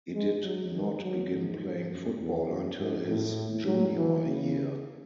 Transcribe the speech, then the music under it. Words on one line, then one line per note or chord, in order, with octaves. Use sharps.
He did not begin playing football until his junior year.
G#3
F#3
D#3
F#3
G#2
F#2
E2
F#2
G#2
A2
F#3
E3
C#3